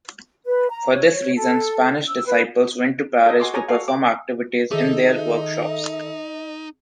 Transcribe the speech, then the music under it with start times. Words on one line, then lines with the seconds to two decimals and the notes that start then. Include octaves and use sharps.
For this reason, Spanish disciples went to Paris to perform activities in their workshops.
0.45 B4
0.70 A#5
0.93 C#5
1.36 A4
2.08 E6
2.26 B4
3.26 A4 D#5
3.40 F#4 G#5 C6 D6
3.54 G#4 C#5 G#5 A#5
3.68 F#4 A4 F5
3.88 D6
4.71 D#3 D#4 G#4 A4 D#5 E5